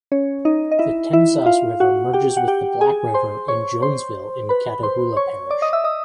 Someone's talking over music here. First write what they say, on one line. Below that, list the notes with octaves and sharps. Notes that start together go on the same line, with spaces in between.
The Tensas River merges with the Black River in Jonesville in Catahoula Parish.
C#4 C#5
D#4 D#5
D#5
E4 E5
E4 E5
F4 F5
F#4 F#5
G4 G5
F#5
G4 G5
G#4 G#5
C5 C6
C#5 C#6
C5 C6
B4 B5
C5 C6
C#5 C#6
D5 D6
D#5 D#6
E5 E6
D#5 D#6